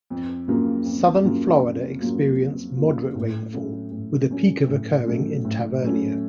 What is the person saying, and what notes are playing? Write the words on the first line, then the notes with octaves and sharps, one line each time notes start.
Southern Florida experienced moderate rainfall, with a peak of occurring in Tavernier.
F2
C#3 F#3 A#3 F4
F2
C#3 F#3 A#3 F4
F2
C#3 F#3 A#3 F4
F2
C#3 F#3 A#3 F4
A2
F#3 A3 C#4
A2
F#3 A3 C#4
A2
F#3 A3 C#4
A2
F#3 A3 C#4